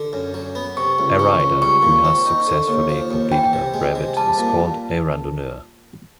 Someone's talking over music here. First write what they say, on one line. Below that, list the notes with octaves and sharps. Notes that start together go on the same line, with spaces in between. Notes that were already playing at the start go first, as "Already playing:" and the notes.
A rider who has successfully completed a brevet is called a randonneur.
Already playing: D3
F#2
F#3
B3
C3 C#6
C#2
E3 C#6
C#2
G3 C#6
A#2
C4
D#4
D3
D#2
F3
D#2
E3 G5
C3
G#3
C3
G3 A5
A#2